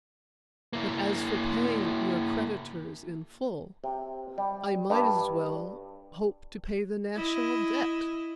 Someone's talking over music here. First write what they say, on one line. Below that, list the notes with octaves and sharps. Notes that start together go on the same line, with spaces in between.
But as for paying your creditors in full, I might as well hope to pay the National Debt.
A#3 E4
C3
G3
G2
E4 D#5